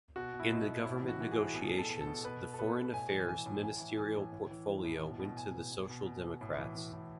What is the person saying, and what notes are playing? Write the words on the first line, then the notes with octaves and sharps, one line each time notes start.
In the government negotiations the Foreign Affairs ministerial portfolio went to the Social Democrats.
B2 F#4
B2
E4
B2 D#4
B2
A2 E4
E3
F#4
E3
G#4
A2
B2 G#4
B2
A4
B2
A4
B2
B2 B4
B2
A4
B2 B4
B2
A2 G#5
E3
E3 G#5
A2
A2 G#5
E3
E3 G#5
A2
A2
E3
E3
A2
B2
B2
B2 G#5
B2
B2
B2
B2
B2
A2
E3
E3
A2